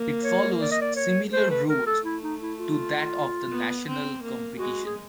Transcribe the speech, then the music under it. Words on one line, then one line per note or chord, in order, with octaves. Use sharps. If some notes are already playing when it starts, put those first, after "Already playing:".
It follows similar rules to that of the national competition.
Already playing: A#3
C#5
D5
D#5
D5
C#5
A3 C5
B4
A3 A#4
A4
E4
D#4
E4
F4
B3
C4
A#3
G#3 F#4
G#4